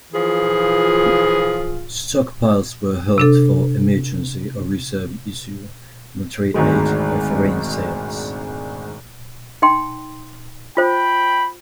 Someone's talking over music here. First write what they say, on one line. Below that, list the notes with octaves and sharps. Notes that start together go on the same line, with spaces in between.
Stockpiles were held for emergency or reserve issue, military aid, or foreign sales.
E3 F3 F4 G#4
C3 D4 A4
G#1 D2 D#3 G#3
D#4 G5 C6
F4 C5 G5 B5